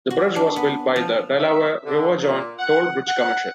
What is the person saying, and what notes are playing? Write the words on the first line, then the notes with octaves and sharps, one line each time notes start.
The bridge was built by the Delaware River Joint Toll Bridge Commission.
F#4
D4
B3
F3
E5
D3
A#2
F#5
F#5